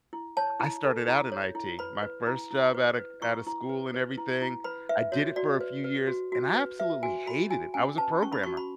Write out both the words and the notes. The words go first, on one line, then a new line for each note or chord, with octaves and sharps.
I started out in IT. My first job out of c out of school and everything. I did it for a few years, and I absolutely hated it. I was a programmer.
E4
C#5 A5
E4
A4
E4
C#5
E4
B4 B5
B4
E4
E4
B4
B4
E4 C#6
E4
B4
B4
E4
E4
B4 B5
B4 E5
F#4 C#5
F#4 D5
B4
B4
F#4
F#4
B4
B4 E5
F#4 G#5
F#4 B5
F#4 G#5
C#4 G#5
B4 A5
C#4 C#6
B5
F#4 C#6
B5